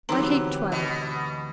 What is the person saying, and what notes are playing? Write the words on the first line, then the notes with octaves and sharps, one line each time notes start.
I hate twaddle.
D2 E3 F#3 B3 C4 D#4 G4 A#5
B2